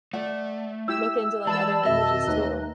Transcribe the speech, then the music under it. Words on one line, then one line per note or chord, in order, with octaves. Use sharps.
look into, like, other languages too.
A3 D5 F#5
E4 G4 E6
E3 G#3 D5 A5 B5 E6
F2 B2 D#3 D#5 E5
D#2 A3 D#4 B4